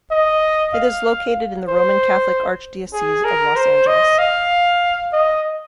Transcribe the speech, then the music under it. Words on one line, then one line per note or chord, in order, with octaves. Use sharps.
It is located in the Roman Catholic Archdiocese of Los Angeles.
D#5
F5
C5
G#4
A#4
C5
D#5
F5
D#5